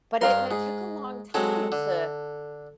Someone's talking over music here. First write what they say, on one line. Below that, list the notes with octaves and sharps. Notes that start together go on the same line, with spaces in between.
but it and it took a long time to,
G2 A#4 F5 C6
G#2 G#4
F#3 G#3 C4 A4
D3